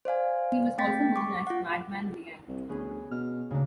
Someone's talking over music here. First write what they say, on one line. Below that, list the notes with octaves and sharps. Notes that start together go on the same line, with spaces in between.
He was also known as Madman Liang.
C5 D5 F5 G#5
A3 C4 G5 A6 B6
C#6 D6
F4 F#5
C2
D2 B3 C#4 G#4
B2 F6
D2 C#3 A#3 D4